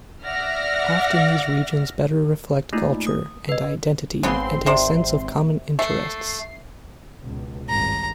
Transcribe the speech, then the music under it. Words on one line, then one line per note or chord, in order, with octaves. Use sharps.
Often these regions better reflect culture and identity and a sense of common interests.
D5 E5 F#5 F6 A#6
A3 A#3 D#4 F4
D#6
B4 D#5
G#1 C#3 B3 C4 C6
C3 C5 D5
A3 C7
C#2 B2
G#1 C#2 G2 A#5